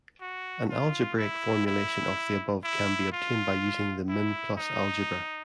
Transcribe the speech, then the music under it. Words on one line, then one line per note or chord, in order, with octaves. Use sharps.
An algebraic formulation of the above can be obtained by using the min-plus algebra.
F#4
F4
E4
E4
E4
F4
E4
D#4